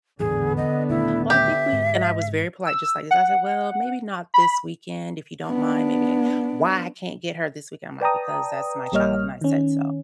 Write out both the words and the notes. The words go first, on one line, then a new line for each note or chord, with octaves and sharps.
"Well, I think we" and I was very polite just like this, I said, "Well, maybe not this weekend. If you don't mind, maybe ne" "Why I can't get her this weekend?" I'm like, "Because that's my child, and I said so."
A1 E2 G#2 D3 B3 G#4
D#5
D#1 A3 E4
G4 E5
G#2
E6
F#5
B5
B3 D4
B4 D5 G5 A5 A#5 D#6
A#1 G3 A#3 C#5 D#5 F6
D#3 C#4